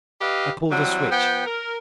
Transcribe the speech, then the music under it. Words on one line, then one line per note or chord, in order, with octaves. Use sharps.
I pulled a switch.
G4 B4 D#5 F5
E3 F#3 G3 C4
F3 B3 G5
A#4